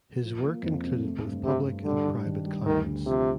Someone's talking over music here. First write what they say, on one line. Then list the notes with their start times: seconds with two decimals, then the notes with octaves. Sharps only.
His work included both public and private clients.
0.22 F3
0.42 A#3
0.63 F2
0.84 C3
1.03 A3
1.24 G2
1.44 G2 C3
1.65 G2
1.85 D3 G3
2.05 D4
2.26 D#3
2.45 G3
2.66 D2 D#3
2.87 D3
3.07 C3 F3